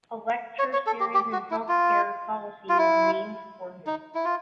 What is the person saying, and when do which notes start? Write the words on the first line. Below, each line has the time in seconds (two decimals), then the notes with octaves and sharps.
A lecture series in health care policy was named for him.
0.59 C#5
0.73 C#5
0.87 A4
1.00 G4
1.14 G4
1.32 F#4
1.51 E4
1.68 F4
2.69 F4
2.78 E4
3.87 D#4
4.15 E4
4.25 F4